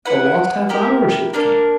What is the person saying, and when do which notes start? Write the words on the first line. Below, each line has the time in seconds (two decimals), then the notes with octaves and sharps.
"A lost half-hour?" said the King.
0.05 E4 B4 F#5
0.69 E4 G4 A#4
1.33 A#3 D4 A#4